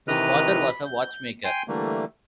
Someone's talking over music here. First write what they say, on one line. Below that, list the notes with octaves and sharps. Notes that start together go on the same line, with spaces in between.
His father was a watchmaker.
C3 D#3 E3 B4 D#5 F6
B5
G6
G5 G#5 C6
D3 E3 G3 A3 A#3